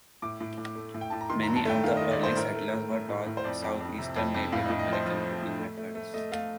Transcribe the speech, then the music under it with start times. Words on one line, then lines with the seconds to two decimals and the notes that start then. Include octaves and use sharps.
Many of the early settlers were taught Southeastern Native American cooking methods.
0.22 A2 D6
0.41 A2
0.58 A2
0.76 A3
0.94 A2
1.01 G5
1.10 A2 A5
1.21 A#5
1.30 D#3 C6
1.43 G2 A#5
1.56 A5
1.65 A3 G5
1.84 D#3 F5
1.97 D#3 D#5
2.11 D5
2.20 G2 C5
2.37 A2 A#4
2.55 A3
2.73 A2
2.91 A3
3.09 A2
3.27 A2
3.37 C5
3.44 F2 D5
3.62 F2
3.81 F2
3.98 C3
4.16 F2
4.34 F2
4.53 A2 F5
4.65 A2 D#5
4.79 D#5
4.88 F3
4.93 C5
5.06 F3
5.24 F3
5.42 A2
5.59 A3
5.78 A3
5.95 A3
6.14 A3 D#5
6.32 A3 F5